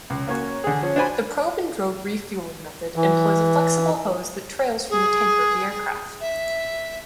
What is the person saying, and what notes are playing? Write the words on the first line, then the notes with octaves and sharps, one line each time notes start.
The probe-and-drogue refueling method employs a flexible hose that trails from the tanker aircraft.
C#2
A#3 C#4 F#4 C#5
D3 G#4
F3 C#4
D4 F#4 C5 G#5 B5
E3
G#4
E5